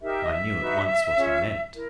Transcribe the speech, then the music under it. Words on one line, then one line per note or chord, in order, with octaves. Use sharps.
I knew at once what he meant.
D#4 G4 A#4 E5
D#5
E5
D#4 F#4 B4
C#4 F4 G#4 C#5
E4 A#4